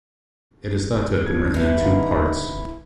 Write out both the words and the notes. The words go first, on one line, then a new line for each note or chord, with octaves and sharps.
It is thought to have been written in two parts.
F3 G#6
E2 G2 E3 E4
D3 D#4 B4 F5